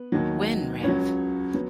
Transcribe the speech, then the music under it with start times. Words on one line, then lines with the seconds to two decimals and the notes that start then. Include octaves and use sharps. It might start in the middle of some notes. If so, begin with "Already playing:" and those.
When Rev.
Already playing: B3 B4
0.12 D#2 D#3 F#3
0.83 C#2 C#3 F#3 C#4 C#5
1.54 F#3 B3